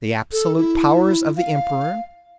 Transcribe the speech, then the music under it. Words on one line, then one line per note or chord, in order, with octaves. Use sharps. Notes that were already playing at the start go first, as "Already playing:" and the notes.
The absolute powers of the Emperor.
A4
E4
F5